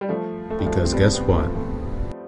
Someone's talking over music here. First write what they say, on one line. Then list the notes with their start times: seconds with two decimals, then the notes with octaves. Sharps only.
Because guess what?
0.01 G3
0.09 F3 A3
0.50 A3
0.59 G3
0.66 F3 A3
0.85 C4
0.93 G3 B3
1.13 G3 B3
1.34 F3 A3
1.55 F3 A3